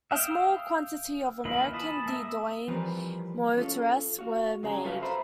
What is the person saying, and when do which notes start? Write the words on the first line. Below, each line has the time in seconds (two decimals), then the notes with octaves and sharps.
A small quantity of American De Dion Motorettes were made.
0.11 E5 F5 G5 D#6
1.45 E3 A#3 F4 D#5 B5
1.73 G#5 A5 B5 D#6
2.06 A#3 E5 D#6
2.68 E3 F3 G3 C4 A#4 B4
3.57 C#4 F4 A4
4.19 F#4 F5
4.63 G2 C#3 G#4 A#5
4.84 F4 F#4 A4 B4 E5 F5
5.02 C5 E5 A#5 B5